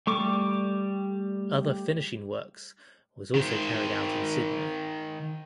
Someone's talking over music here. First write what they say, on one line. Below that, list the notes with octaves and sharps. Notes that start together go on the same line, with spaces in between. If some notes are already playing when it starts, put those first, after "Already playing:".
Other finishing works was also carried out in Sydney.
G3 A3 C#6 D6
D#3 C5